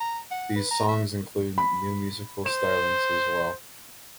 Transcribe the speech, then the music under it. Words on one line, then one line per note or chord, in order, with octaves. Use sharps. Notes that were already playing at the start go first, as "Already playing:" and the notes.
These songs include new musical stylings as well.
A#5
F#5
B4
A#5
E5
B5
C5 E7